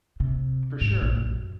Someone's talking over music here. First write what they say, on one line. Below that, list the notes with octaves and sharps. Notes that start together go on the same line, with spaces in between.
For sure.
C3
G#2
A#1
F#2